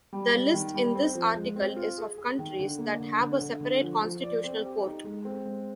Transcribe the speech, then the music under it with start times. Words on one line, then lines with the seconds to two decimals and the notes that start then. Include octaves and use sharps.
The list in this article is of countries that have a separate constitutional court.
0.13 G3
0.33 G3
0.54 D#3
0.74 G3
0.95 C4
1.15 F3
1.36 G#3
1.56 C4
1.76 F4
1.98 G#4
2.18 G#4
2.39 D#3
2.59 D3
2.78 A#3
3.00 D3
3.20 D3
3.41 D3
3.61 D3
3.81 F3
4.02 F3
4.23 D5
4.44 C4
4.64 G4
4.84 D#4
5.04 G#3
5.25 C4
5.46 G#3